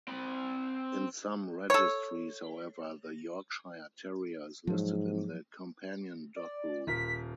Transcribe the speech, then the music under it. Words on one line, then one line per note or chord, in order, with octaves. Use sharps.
In some registries, however, the Yorkshire Terrier is listed in the Companion Dog group.
C4 B5
A4 C#5
G#2 F3 F#3
D5
D#1 F4 A#4 B6